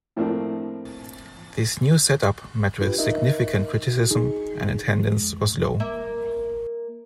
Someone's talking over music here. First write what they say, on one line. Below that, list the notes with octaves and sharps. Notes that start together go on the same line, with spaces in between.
This new setup met with significant criticism and attendance was low.
A2 F3 A3 A#3 C4 D4
D4 F4 G4 B4
D#4 A#4 D#5 E5
F#4
D#4 G#4
F2 G#3
A#3 E5